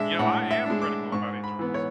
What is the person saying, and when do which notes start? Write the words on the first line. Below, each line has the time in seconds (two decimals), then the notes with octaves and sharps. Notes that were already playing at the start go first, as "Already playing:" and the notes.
You know, I am critical about injuries
Already playing: G#3 D4 E5
0.19 A2 F#5
0.51 E5
0.66 G#3 D4
0.82 D6
1.12 G#2 C#6
1.44 B5
1.59 E3 B3
1.74 C#5